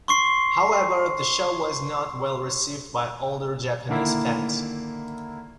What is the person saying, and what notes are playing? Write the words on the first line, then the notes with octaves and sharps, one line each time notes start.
However, the show was not well received by older Japanese fans.
C6 C#6 C7
D3 D#3 A#3 E4